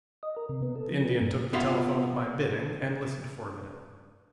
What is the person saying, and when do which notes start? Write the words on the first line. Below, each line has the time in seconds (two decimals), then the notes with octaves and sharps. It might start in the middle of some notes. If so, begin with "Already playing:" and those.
The Indian took the telephone at my bidding and listened for a minute.
0.23 D#5
0.36 A#4
0.49 C3
0.62 B3
0.75 A4
0.91 F3
1.05 B3
1.21 G2
1.53 B3 F4 E5 F5